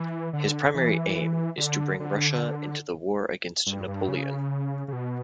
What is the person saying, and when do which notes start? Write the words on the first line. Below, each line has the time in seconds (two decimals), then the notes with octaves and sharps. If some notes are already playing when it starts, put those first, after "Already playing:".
His primary aim is to bring Russia into the war against Napoleon.
Already playing: E3
0.33 D3
0.75 E3
1.58 D3
2.00 D3
3.67 G2
3.88 G2
4.08 C#3
4.88 C#3
4.93 B2